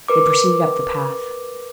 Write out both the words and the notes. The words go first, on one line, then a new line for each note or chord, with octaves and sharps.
They proceeded up the path.
A#4 B4 D6